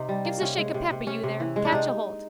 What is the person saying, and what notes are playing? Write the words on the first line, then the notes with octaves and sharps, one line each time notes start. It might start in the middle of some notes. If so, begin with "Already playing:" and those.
Give's a shake of peppe, you there. Catch aholt.
Already playing: C3 D#4
G3
A#3
C3 C#4
G#3
C3
C3
C3 C#4
C3
E3
G#3
D4
C3 D#4